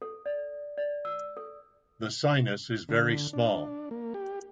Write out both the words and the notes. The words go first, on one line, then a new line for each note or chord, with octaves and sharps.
The sinus is very small.
A4
D5
D5
E6
A4
D3
D4
A#3
G4